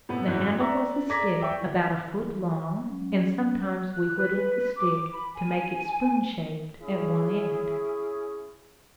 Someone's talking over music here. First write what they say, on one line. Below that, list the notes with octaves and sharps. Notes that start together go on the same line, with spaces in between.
The handle was a stick about a foot long and sometimes we whittled the stick to make it spoon-shaped at one end.
A2 C3 B3
G#1 F#2 F#3 E4 F#6
D5 E5 A#5 C#6
D5 A#5 D6 G#6 A#6 B6
D5 E5 G5 C#6
E3
F#3 G#3 C#4
F#6
B4
D6
B5
G#5
C#4 E4 G#4